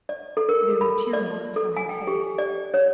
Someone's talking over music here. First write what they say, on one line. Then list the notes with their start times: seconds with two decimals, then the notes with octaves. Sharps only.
There were tear-marks on her face.
0.09 D5
0.37 A4
0.49 A#4
0.81 B5
1.13 D5
1.56 A4
1.77 G#5
1.89 G5
2.07 G4
2.38 D5
2.74 C#5